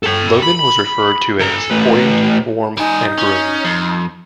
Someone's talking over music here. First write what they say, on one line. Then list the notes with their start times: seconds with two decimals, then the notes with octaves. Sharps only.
Logan was referred to as "poised, warm and groomed".
0.03 A4 G5
0.42 B5
1.41 A4 A#5
1.70 A2 B4
2.77 G3 D#4 G#5
3.18 C#4
3.65 F2